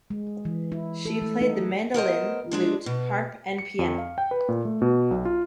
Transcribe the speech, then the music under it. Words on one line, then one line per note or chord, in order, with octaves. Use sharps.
She played the mandolin, lute, harp and piano.
G#3
E3
E4
A4
A3
D#4
B3 A#4 C5 D#5
G#3 D4 C5
B2
C#7
F2
F5
G5
B4
A#2
A3
B2
B1
F4